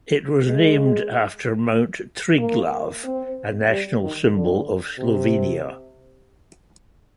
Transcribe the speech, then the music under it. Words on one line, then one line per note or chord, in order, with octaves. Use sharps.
It was named after Mount Triglav, a national symbol of Slovenia.
G#3
A#3
C4
G3
D#3
D3
C3